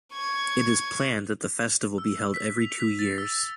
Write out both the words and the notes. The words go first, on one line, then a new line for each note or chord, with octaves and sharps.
It is planned that the festival be held every two years.
C#6 G#6
E6
B6
F7
B6
A6
E6